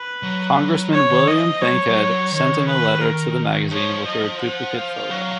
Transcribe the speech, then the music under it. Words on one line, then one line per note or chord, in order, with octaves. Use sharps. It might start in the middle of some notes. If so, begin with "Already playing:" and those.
Congressman William Bankhead sent in a letter to the magazine with her duplicate photo.
Already playing: B4
F#3
F#3
C#5
D#3
F3 D#5
F3
G#3 C#5
F#3
F3
F#3
D#3 C#5
B4
A#4
F3 C#5
D#5
F#5
F5
F#3